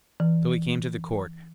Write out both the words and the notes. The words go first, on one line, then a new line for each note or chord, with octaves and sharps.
So he came to the court ...
E3